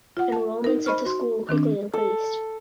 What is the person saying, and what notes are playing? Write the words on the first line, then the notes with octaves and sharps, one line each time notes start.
Enrolments at the school quickly increased.
F4 F#5
A5
D#4 A#4
C5 D#5 B5 C#6 F6
F#4 C6
D#3 C4 D4
A4